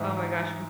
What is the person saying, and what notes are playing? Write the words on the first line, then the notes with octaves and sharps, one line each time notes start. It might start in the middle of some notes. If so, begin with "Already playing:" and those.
Oh my gosh, m
Already playing: G#2 E3